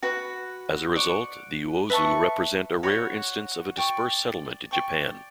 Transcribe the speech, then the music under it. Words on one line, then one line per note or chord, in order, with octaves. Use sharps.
As result, the Uozu represent a rare instance of a Dispersed settlement in Japan.
F#4 B4 F#5
D5 F#5 C#6
B4 E5 A5 C#6
F#4 C#5 F#5 B5
D5 G5 C#6
D5 G5 C#6